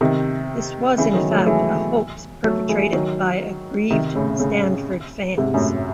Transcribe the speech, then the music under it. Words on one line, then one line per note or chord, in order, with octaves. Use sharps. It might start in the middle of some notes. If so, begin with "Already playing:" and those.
This was in fact a hoax perpetrated by aggrieved Stanford fans.
C3 D#3
C#3 E3
D#3 F#3
F#3 A3
E3 G#3
F#3 A3
E3 G#3
D#3 F#3
C3 D#3
A2 C#3
A2 C#3
G#2 C3
F#2 A2